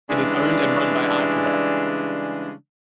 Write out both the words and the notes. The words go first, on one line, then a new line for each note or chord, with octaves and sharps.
It is owned and run by Arqiva.
C#3 E3 G3 G#3 D4